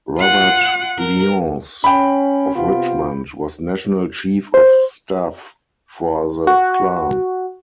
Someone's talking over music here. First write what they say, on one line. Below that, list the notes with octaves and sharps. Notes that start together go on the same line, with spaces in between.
Robert Lyons, of Richmond, was national chief of staff for the Klan.
F4 F#5
A#4
C#4 G5 B5
C3 B3 F4
C5
F#4